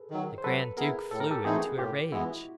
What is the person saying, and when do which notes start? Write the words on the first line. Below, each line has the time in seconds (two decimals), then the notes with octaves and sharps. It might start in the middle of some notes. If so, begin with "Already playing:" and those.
The grand duke flew into a rage.
Already playing: G#4 A4 B4
0.10 D#3 F#3
0.38 C5
0.44 F#3 A4 B4
0.77 B3 E4 G#4 A#4
1.11 A2 A4
1.20 A#4
1.31 G4 A4
1.44 E3 A3 C4 D#4 F#4 G#4
1.78 A2 F4 G4
2.12 E3 G#3 B3 E4 F#4